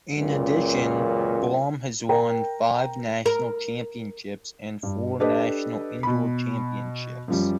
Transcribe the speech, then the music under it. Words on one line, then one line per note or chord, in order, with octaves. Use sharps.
In addition, Blom has won five national championships and four national indoor championships.
C#2 F#2 A#2
A#4 G5 A#5
A#4
G2
D4 G4 A4 B4 D#5
B2 B5
F#2 F3 G3